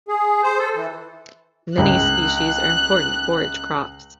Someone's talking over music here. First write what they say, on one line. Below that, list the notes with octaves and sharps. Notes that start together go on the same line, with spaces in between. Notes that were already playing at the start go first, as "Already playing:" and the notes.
Many species are important forage crops.
G#4
C5
A4
E3
C#2 F#6